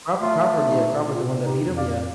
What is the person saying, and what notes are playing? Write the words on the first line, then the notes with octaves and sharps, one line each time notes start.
Crawford Crawford, yeah, Crawford, the one that beat him? Yeah.
A3 F4
A#2 D#4
C3 F4
D#4 G4
F2
D5 F5